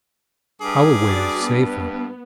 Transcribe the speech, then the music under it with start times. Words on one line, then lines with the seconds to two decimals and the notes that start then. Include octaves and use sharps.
Our way is safer.
0.61 G2 G#4 D6
1.10 F#4 D5
1.46 B3